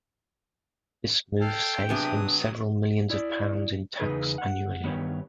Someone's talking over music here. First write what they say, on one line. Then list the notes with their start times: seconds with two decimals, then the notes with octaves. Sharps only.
This move saves him several millions of pounds in tax annually.
1.41 A4 F5 G5
1.89 C3 F#3 B3 D4 G#4 D#6
3.10 E4 D5
4.00 E2 G2 C#3 D#4 G#4 B4
4.38 F#5
4.84 G2 D#3 B3 G4 C#5